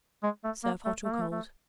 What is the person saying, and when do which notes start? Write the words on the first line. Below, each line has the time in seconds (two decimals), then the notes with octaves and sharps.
Serve hot or cold.
0.23 G#3
0.44 A3
0.64 A#3
0.85 A3
1.05 A3
1.12 A#3
1.21 A3
1.32 A3